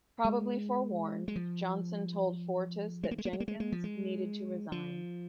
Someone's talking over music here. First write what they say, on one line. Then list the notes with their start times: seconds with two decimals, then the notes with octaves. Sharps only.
Probably forewarned, Johnson told Fortas that Jenkins needed to resign.
0.25 G#3
1.28 G#3
1.36 F3
3.03 G#3
3.11 A#3
3.18 G#3
3.25 A#3
3.33 G#3
3.40 A#3
3.48 G#3
3.60 G#3
3.72 F3
3.84 G#3
4.72 F3